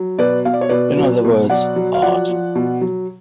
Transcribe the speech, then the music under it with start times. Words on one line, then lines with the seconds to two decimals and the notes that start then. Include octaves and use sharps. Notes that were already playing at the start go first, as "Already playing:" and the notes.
In other words, Art.
Already playing: F#3
0.18 B2 B4 D5
0.45 B2 F5
0.54 D5
0.61 C#5
0.69 B2 B4 D5
0.97 F#3
1.24 B2
1.50 F#3 D5 F#5
1.76 F#3
1.94 F5
2.02 F3 D5 F#5
2.29 F3
2.55 B2
2.81 F#3